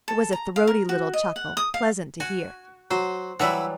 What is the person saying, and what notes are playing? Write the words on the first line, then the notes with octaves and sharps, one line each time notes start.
It was a throaty little chuckle, pleasant to hear.
A4
A#5
F5
A#4
F#4
D#5
F#5
D#6
F5
F#4 G#5
F#3 C5
E3 F#3 G3 E4 E5 F#5